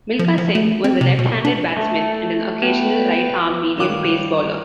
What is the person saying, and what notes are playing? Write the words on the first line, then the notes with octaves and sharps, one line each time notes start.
Milkha Singh was a left-handed batsman and an occasional right arm medium pace bowler.
F3
F3
A3
C4
C3
B2
D4
A3
B3 B4 G5
G2 D#3 C#5 F5 D6 F#6